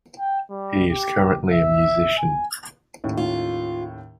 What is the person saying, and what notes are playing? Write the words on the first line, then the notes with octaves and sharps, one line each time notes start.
He is currently a musician.
G5
G3
G4
E5
G#5
D#2 A2 C#4
F4